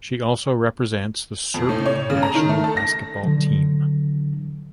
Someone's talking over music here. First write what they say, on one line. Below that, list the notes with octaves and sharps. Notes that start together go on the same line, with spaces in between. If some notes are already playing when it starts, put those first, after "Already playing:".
She also represents the Serbian national basketball team.
F2
A2
C#5
C#3
A#5
D#3
A3
A4
A#6
D3 E3 F#3